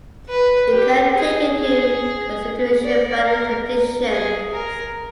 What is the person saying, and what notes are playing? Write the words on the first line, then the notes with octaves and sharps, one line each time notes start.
It can take into consideration boundary conditions.
B4
G4
G#4
G#4
D5
A#4
G#4
A#4